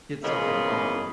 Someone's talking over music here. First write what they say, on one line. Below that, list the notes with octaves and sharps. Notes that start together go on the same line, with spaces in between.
get something out of it,
C#3 E3 F3 G#3 A#3 B3